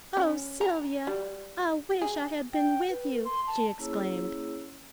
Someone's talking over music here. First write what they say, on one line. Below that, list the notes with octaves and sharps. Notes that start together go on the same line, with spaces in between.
"Oh, Sylvia, I wish I had been with you," she exclaimed.
C#4
A#5
G3
G#4
G5
B4
A#4
C6
A5
A#3 C#4 E4 G#4 C#5 E6